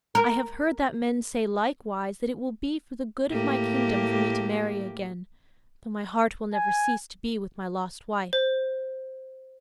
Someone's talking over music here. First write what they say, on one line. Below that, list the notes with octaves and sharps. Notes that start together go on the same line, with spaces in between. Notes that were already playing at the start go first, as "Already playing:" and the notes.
I have heard that men say, likewise, that it will be for the good of my kingdom for me to marry again, though my heart will never cease to be with my lost wife.
A#4
A2 A#3 G4
G#5
C5